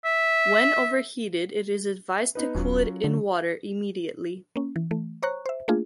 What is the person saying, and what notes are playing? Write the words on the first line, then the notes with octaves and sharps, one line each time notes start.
When over-heated it is advised to cool it in water intermediately.
E5
B3 D#4 B4
D#1 F#3 C#4 F4
D3
A#3 C#4
E3
E3 A3
C5 C#5 A#5 C#6 F#6
C5 E5
A3 A#3 D4 F4 G#4